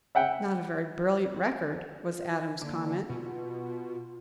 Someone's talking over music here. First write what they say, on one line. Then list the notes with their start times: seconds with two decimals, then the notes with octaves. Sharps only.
"Not a very brilliant record," was Adams's comment.
0.15 E5 F#5 G5
2.07 F4
2.62 D3 A#3
3.09 B2 F4